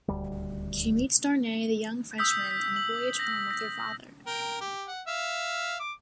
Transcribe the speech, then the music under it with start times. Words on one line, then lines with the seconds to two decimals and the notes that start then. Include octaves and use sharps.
She meets Darnay, the young Frenchman, on the voyage home with her father.
0.08 D#1 D2 G3
2.18 D#6 E6 G6 B6
2.51 B6
2.76 F#7
3.20 A#6
3.51 A#6
4.27 A#4 G5
4.61 G4
4.88 F#5
5.07 E5 F5
5.79 D6